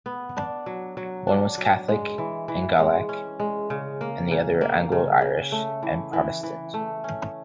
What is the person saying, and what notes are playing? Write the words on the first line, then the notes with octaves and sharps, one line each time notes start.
One was Catholic and Gaelic, the other Anglo-Irish and Protestant.
B3
D4
F#3
F#3
D4
F#3
G#3
E3
E3
G#3
C#4
G#3
C#3
A#3
C#3
A#3
C#3
C#3
A3
E3
E3
E3
A3
C#4